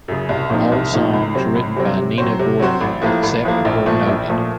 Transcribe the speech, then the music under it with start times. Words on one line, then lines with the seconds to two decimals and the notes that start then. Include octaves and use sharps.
All songs written by Nina Gordon, except where noted.
0.08 F#2 C#3
0.29 C2
0.50 A#2 F3 C4 D#4
0.72 C2
0.93 A#2 F3 C4 D#4
1.13 C#2
1.34 C3 F#3 C4
1.55 C#2
1.76 C3 F#3 C4
1.97 C3
2.18 F#3 C4 F#4 C5
2.39 C3
2.60 F#3 C4 F#4 C5
2.81 A1
3.02 A2 F3 A#3
3.23 A1
3.44 A2 F3 A#3
3.65 A#1
3.86 A#2 F3 A3
4.07 A#1
4.28 A#2 F3 A3